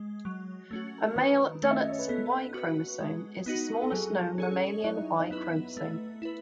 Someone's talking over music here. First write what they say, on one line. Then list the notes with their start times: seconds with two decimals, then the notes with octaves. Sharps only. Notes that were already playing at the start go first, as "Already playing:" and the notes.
A male dunnart's Y chromosome is the smallest known mammalian Y chromosome.
Already playing: G#3
0.25 F#3
0.71 A3 C#4 F#4
1.16 D#3 B4
1.63 A3 C#4
1.71 E5
1.80 D#5
1.89 C#5
1.99 B4
2.08 B3 A4
2.54 F#4 B4
3.00 G#3
3.46 B3 D#4 F#4
3.81 A4
3.92 F#3 G#4
4.38 C#4 G#4 A4 C#5
4.84 F#3 E4
4.96 D#4
5.19 D#4
5.31 B3 E4 B4
5.77 A3
6.22 E4 B4